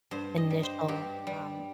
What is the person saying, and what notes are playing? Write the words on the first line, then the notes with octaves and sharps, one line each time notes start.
initial, um,
G2 C5
D#5
G3
C5
G2 G4
G3